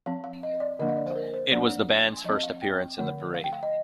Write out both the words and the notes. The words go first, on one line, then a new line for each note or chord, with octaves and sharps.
It was the band's first appearance in the Parade.
F3 C4 F5
F5
D#5
D5
D3 F3 A#3 D4 D#5
F5
D5
C5
A#4
C5
F3 A#3 D4 D5
F3 C4 D#5
F5
G5
D3 F3 A3
F5
G5
F5
D#5